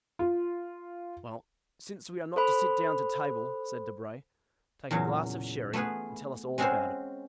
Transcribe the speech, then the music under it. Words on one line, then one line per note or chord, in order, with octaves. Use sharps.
"Well, since we are not to sit down to table," said Debray, "take a glass of sherry, and tell us all about it."
F4
A4 C5 B5
E2 A#2 C#3 F#3
A3 B3 F4 G#4 B4
G#3 C4 C#4 F#4 G#4 C5